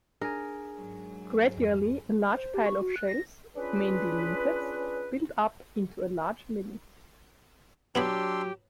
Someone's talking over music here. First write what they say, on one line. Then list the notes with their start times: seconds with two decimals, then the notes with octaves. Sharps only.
Gradually a large pile of shells, mainly limpets, built up into a large midden.
0.21 D4 G#4 A#4 G#5
0.74 G#2 F#3
1.58 F2
2.37 C5
2.54 G4
2.66 C#6
2.81 F#4
2.96 F#6
3.08 A#6
3.55 C#4 D4 F4 G#4 B4
7.95 F#3 B3 D4 E4 G4 B5 C6 E6